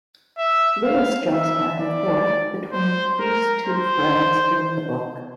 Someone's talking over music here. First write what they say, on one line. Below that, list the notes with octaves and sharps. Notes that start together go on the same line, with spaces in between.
Lewis jumps back and forth between these two threads in the book.
E5
F5
E5
D5
C5
A#4
C5